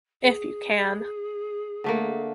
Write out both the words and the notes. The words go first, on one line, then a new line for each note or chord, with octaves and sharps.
If you can.
G#4
D3 A3 A#3